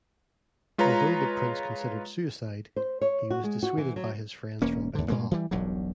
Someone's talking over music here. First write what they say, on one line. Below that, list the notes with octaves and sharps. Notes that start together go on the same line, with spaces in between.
Although the prince considered suicide, he was dissuaded by his friends from Bengal.
G#3 F4 B4 C#5 A#5
C5
C#5
F#4
G#3
F#4
E3
F#3
E1 A#3 C#4
D#2 D3
A#2 G#3 A#3
E3 G3
E1 B1 G2 F#3